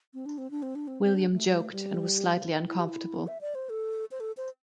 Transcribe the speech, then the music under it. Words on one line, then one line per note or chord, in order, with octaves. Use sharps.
William joked, and was slightly uncomfortable.
C4
D4
C4
D4
C4
D4
C4
C4
D4
A3
G3
A3
G3
E4
G4
E4
E5
D5
C5
A4
C5
A4
C5